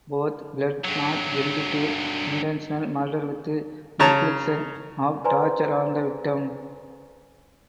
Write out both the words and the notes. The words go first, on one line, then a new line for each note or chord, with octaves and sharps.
Both pled not guilty to intentional murder with infliction of torture on the victim.
G2 F#3
C#3 C#5 A5 A#5
B4 C5 D5 G#5 A#5 C6